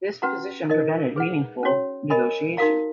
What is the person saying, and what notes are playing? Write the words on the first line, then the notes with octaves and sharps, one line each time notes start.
This position prevented meaningful negotiation.
C#4 F#4 B4 F#5 A#5
D#4 A#4 D#5
G#4 B4 F#5
C#4 F#4 C#5
A#4 D#5 G#5 B5
D#4 F#4 A#4 F5 A#5